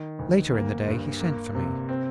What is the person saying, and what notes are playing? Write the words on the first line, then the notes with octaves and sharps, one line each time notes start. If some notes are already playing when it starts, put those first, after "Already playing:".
Later in the day he sent for me.
Already playing: D#3
D2
A#3
G2
A#3
C3
C4